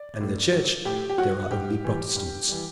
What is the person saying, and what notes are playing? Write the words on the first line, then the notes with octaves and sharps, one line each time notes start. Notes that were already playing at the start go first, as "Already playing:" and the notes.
And in the Church there are only Protestants.
Already playing: D5
A2
F#3
A2 G4
G4
F#3 F#4
G2 G4
E3 G3
G2
E3 G3